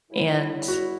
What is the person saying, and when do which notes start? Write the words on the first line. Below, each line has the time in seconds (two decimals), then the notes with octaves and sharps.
and s
0.11 F#2 C#3 G3 B3 E4
0.68 F#4